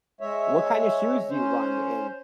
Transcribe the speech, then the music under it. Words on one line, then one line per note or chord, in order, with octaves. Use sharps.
What kind of shoes do you run in?
G#3 C#5 E5
C#4 C5